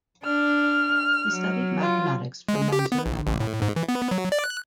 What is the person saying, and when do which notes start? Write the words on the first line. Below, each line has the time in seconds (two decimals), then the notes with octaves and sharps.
He studied mathematics from Manzoor Ahmad.
0.24 D4 F6
1.30 F#3
1.81 F4
2.49 G#3
2.72 G4
2.92 B3
3.06 A#1
3.27 A1
3.40 A2
3.62 G#2
3.76 E3
3.89 B3
4.11 F#3
4.32 D5
4.44 F#6